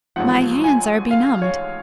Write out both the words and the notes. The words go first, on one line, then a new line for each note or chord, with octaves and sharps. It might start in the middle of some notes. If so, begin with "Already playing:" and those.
"My hands are benumbed."
A1 G#2 F3 F#5
G#5
F5
C#5